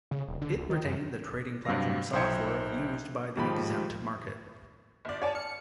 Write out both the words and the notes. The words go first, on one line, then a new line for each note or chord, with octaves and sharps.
It retained the trading platform software used by the exempt market.
C#3
D#1
D3
D2
D#3
F#2
G2 C3 F#3 F5 A#6
B1 C5 E5 G5 G#6 C#7
D#2 G#2 F3 G4 B5
G1 D5
C#5 D5 G#5 A5
F6 C#7